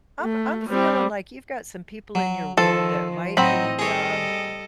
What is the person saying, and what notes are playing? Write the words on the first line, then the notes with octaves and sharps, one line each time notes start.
I'm I'm feeling like you've got some people in your world that might be, um,
A3
G3 C4
F#3
D#3 F3 A4
A2 F#3 C4 D#4 D#5 B5
G3 G#4 A4 C#5 D#5